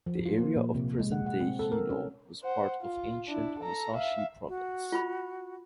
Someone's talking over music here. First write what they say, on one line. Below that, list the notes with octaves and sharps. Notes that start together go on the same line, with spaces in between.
The area of present-day Hino was part of ancient Musashi Province.
F3
F4
A#3
A#2
C3
G#3
F#5
F#5
C4
A4
A#4
C#4
C5 F#5
F4
D4 E4
A4 A#5
E5 F5
F#4
F4 B5